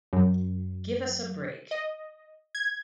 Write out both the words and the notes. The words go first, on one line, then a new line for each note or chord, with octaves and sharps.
Give us a break.
F#2
D#5
G#6